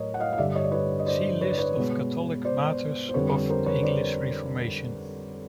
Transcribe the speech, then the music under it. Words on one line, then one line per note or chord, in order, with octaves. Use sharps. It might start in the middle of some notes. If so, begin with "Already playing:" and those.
See List of Catholic martyrs of the English Reformation.
Already playing: A2 F#3 A#4 C#5 D#5
F#5
D#5 F5
F5
G2 D3 G3 D5 E5
C#5 D#5
D5
B4 C#5
D#5
C5 D5
B4 C#5
D5
B4 C#5
B2 G#3
C5 D5
C5
F2 D3 G3 B4 C#5
A#4 C5
B4 C#5
C5 D5